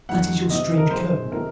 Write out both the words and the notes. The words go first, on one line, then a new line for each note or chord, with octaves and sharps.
That is your strange code.
F2 D#3 F#3 F#5
C3 D#3 F#3 D#5
A#4
F#2 D#3 G#3 C5
C3 D#3 G#3 A#4